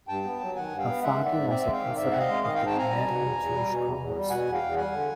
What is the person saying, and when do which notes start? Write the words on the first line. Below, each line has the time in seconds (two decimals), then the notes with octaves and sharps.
Her father was a president of the Canadian Jewish Congress.
0.08 G2 G5 A5
0.24 B3
0.41 F#3
0.55 D#3 F#5 G#5
0.71 G2
0.78 F5 G5
0.87 B3
1.02 G#3 E5 F#5
1.18 D#3
1.25 D5 E5
1.33 G#2
1.49 C4 D5 E5
1.65 G#3
1.72 F5 G5
1.80 D#3
1.96 G#2 D5 E5
2.11 C4 F#5
2.19 D#5 F5
2.28 G#3
2.43 D#3 D#5 F5
2.55 F5 G5
2.59 G#2
2.66 G5 A5
2.75 C4 G#5 A#5
2.90 G3
3.06 B2
3.21 E2
3.36 E2
3.52 G3
3.68 B2
3.83 E2
3.99 E2
4.15 G3
4.30 B2 F#5 G#5
4.46 E2
4.54 F5 G5
4.62 E2
4.77 G3 F#5 G#5
4.92 D3